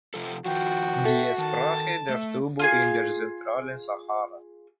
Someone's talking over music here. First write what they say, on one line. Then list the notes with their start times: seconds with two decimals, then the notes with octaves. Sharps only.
"Die Sprache der Tubu in der zentralen Sahara".
0.14 C3 F3 A4
0.46 D#3 F3 F#4 G5
1.05 A4 E5
1.38 D#3 A5
2.09 A3 E5
2.59 F4 G#4 G#5